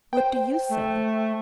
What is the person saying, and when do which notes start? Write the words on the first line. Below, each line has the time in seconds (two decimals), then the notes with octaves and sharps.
What do you say?'
0.13 C5 G5
0.69 A3